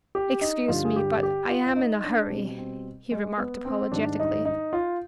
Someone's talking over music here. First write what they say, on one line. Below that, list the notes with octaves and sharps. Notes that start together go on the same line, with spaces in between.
"Excuse me, but I am in a hurry," he remarked apologetically.
G4
D#4
G2 D3 G3 F4
G#4
G4
G4
F4
F4
D#4
D4
B2 G3 C4
C4
G#3
B3
C4
G#2 D#3 G3 D4
D#4
D#4
F4